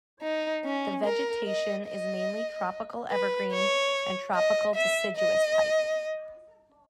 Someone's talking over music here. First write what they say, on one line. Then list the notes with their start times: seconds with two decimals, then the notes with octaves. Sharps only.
The vegetation is mainly Tropical Evergreen and Tropical Deciduous type.
0.22 D#4
0.64 C#4
1.05 A#4
1.47 D#5
1.87 D#5
3.11 B4
3.53 C#5
4.35 D#5
4.76 E5
5.17 D#5